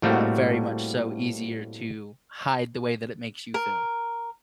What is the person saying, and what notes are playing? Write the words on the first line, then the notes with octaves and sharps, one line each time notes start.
uh, very much so easier to hide the way that it makes you feel.
A2 G3 A3 A#3 C4 F#4
A#4